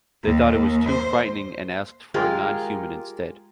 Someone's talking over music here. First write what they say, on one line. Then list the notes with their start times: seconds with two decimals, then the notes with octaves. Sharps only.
They thought it was too frightening and asked for a non-human instead.
0.24 D#2
0.89 C5
2.14 G#3 F4 G4 G#4 A#4